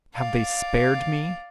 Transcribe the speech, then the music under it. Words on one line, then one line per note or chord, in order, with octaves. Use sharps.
Have they spared me?
D5 F5